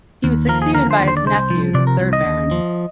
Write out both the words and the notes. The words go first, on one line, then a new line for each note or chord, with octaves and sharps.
He was succeeded by his nephew, the third Baron.
D#2
F3 A#4
G#4
D3 A#4
C5
D#2
C5
D5
C2 C5
F3
C3 D5
A#4
C2
D#5
D#2
F3